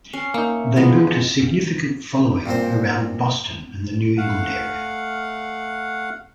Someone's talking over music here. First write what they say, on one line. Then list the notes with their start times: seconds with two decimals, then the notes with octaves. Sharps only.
They built a significant following around Boston and the New England area.
0.13 C#4 C7
0.34 A#3 D#4 E5 C#6
0.76 F3 G#3 B3 E4
2.46 G2 A#2 C4 C5
4.18 A3 F5 F#5